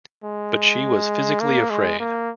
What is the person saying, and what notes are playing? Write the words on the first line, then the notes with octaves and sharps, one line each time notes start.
But she was physically afraid.
G#3
A#3
G#3
A#3